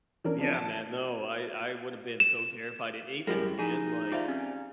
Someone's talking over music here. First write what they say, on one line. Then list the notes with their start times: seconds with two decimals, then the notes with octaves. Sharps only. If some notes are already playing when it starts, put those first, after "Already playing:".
Yeah, man, no, I I would have been so terrified, and even then, like,
0.24 E3 C#4 D4 A#4
0.38 F3 C4 D4
0.54 A5
2.20 E7
3.27 F#2 G3 G#3 E4 G4 A#4
3.59 F3 D#4 G#4
4.12 F4 G4 C5 D5 E5 F5
4.28 C4 C#4 G#5